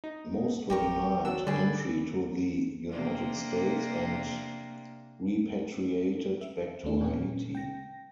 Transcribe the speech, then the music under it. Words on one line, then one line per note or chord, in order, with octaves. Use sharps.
Most were denied entry to the United States and repatriated back to Haiti.
D#4
A1 G4 A#4 C#6
F#3 D4 E6
D3 G3 G#4 B4 D5
C3 A#3 D4
E5
D#2 A3 D4
A#2 C#4
G5 A#6